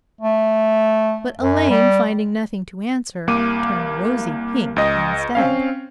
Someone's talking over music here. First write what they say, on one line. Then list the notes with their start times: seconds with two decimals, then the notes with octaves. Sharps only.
But Elaine, finding nothing to answer, turned rosy pink instead.
0.21 A3
1.39 F#2
1.70 G3
3.27 C2 A#3 D6 D#7
4.76 C#2 D#5
5.35 C4 C#4 F5